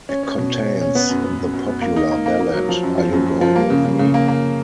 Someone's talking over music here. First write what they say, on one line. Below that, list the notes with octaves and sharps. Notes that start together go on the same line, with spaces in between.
It contains the popular ballad "Are You Going With Me?".
C#4
C#4
B2
C#4
C#4
C#4
B3
F#2
B3
F#2
F#2
B3
A#3
D#4
A#3
A#3
A#3
F#3
F3
F#2
F3
F#2
F#2
F3
A#3
C#3
C#3
C#3
A#3
A#3